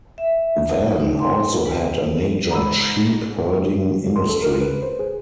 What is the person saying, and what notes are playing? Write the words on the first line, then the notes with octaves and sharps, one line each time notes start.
Van also had a major sheep herding industry.
E5
D#4
C6
B4
G#2 A#5 B5 E6
C6
A4
A#4
B4
C5
G#4